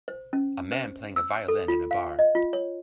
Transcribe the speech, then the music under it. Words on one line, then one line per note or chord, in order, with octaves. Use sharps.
A man playing a violin in a bar.
C5
C#4
C5
E6
A4
F4
F5
D#5
F4
C#5